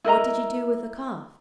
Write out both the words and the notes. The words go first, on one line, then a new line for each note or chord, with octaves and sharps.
'What did you do with the calf?'
E4 A#4 D#5 A#5